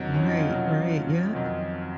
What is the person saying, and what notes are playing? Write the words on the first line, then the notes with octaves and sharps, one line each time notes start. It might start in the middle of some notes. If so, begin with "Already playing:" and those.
Right, right, yep,
Already playing: F2 D#3 F#3 F#4
C#4
D#4
F4
F2 D#3 F#3 F#4
F2 D#3 F#3